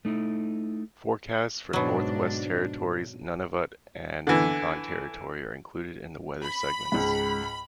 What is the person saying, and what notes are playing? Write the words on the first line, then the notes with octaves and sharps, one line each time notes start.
Forecasts for Northwest Territories, Nunavut, and Yukon Territory are included in the weather segments.
A3 D#4 E4
G#2 B2 F#3 D4
D3 E3
B5
C#2 G#2